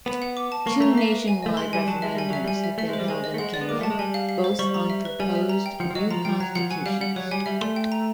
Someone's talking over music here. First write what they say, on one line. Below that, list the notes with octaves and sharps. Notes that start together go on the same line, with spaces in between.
Two nationwide referendums have been held in Kenya, both on proposed new constitutions.
B3 B5
F#5
D6
A5
A#3 C#6
A3 A#5
A#3 E5
B4
G#5
A3 D#5
G#3 C6
G3 G#5
F#3 A5
G#3 E5
G3 G#5
F#3 E5
G3 G#5
E5
A3 E5
G#3 C5
G3
G#3 G#5
D#5
A3
G#3 F#5
D5
B3
A#3 D6
A3 A5
G#3
G3 G#5
F5
F5
C5
G3 C#6
A#5
E5
B4
G3 G#5
E5
A#5
G5
F3 F#5
F3
F#3 D#5
F3 A#5
F3 G5
F#3 A#5
F3 F#5
F#3 G#5
G3 F5
G3 F#5
F#3 C#5
G3 G#5
G3 E5
A3 C6
G5
A#5